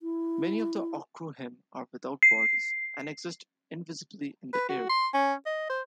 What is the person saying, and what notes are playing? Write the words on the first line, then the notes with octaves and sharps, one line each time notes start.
Many of the Ogdru Hem are without bodies and exist, invisibly, in the air.
E4
C7
B4
F#4
C6
C#4
D#5
C5